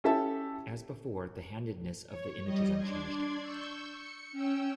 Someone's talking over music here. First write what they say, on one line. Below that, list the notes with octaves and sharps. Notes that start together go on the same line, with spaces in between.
As before, the handedness of the image is unchanged.
C#4 E4 G4 A4 E5 A5
C#5
G3 D#5
D4 D5 C6 G#6
C#6 E6 G6
C#7
C#4 G5 E6